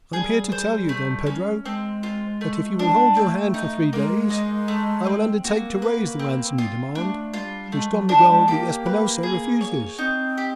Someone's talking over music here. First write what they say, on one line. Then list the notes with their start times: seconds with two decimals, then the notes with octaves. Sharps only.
"I am here to tell you, Don Pedro, that if you will hold your hand for three days, I will undertake to raise the ransom you demand, which Don Miguel de Espinosa refuses."
0.13 G3 G#4
0.52 C5
0.89 A3
1.27 C#4
1.65 G#3 C4
2.03 F4
2.41 A3
2.79 D4
3.16 A3 C4
3.54 D#4
3.93 G#3 A#3
4.30 D#4
4.68 A3
5.06 C4
5.44 A#3 F#4
5.82 B4
6.19 C4
6.58 F4
6.95 A3 D4
7.34 G#3 F4
7.38 G3
7.71 G#3 A3
7.90 F#3
8.09 G3 D4
8.29 G#3
8.47 A#3 G4
8.86 B4
9.23 G#4
9.61 C#5
9.98 C4 D#4
10.38 G4